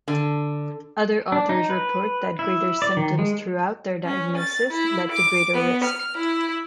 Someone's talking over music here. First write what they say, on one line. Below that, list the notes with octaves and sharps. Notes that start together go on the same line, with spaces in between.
Other authors report that greater symptoms throughout their diagnosis led to greater risk.
D3
D4
D#4
B4
E4
D5
D#3
G#3
C#4
A6
E4
D6
B3
F6
E4